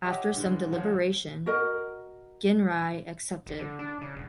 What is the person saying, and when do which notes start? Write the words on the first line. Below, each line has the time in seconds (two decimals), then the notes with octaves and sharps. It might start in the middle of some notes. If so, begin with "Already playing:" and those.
After some deliberation, Ginrai accepted.
0.03 G4 C#5 D#5 E5 F#5
0.35 G2 D3 E3 G#3
0.72 A1 E2 F3 F#3 C5
1.46 F#4 A#4 D#5
3.46 F1
3.59 D3
3.79 D4
4.01 C#3
4.15 E1